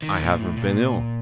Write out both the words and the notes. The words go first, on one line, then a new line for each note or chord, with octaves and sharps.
"I haven't been ill."
D#3
A#2
A2
A#2